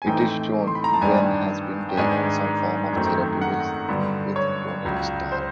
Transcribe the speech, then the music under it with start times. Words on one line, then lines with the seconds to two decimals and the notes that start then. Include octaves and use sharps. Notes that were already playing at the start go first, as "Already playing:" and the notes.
It is shown Gwen has been taking some form of therapy with Tony Stark.
0.02 G#5
0.06 A2 E3 A3 C4 D#4 G5
0.67 C6
0.75 B5
0.84 A#5
0.94 A5
1.01 G2 D#3 G3 B3 D4 G#5
1.89 G5
1.97 G#2 D#3 G#3 B3 D4 G#5
2.93 F#2 D#3 F#3 A3 C4
3.41 F#5
3.88 G2 D3 F#3 B3
4.36 C#5
4.85 C#2 C#3 F#3
5.32 C5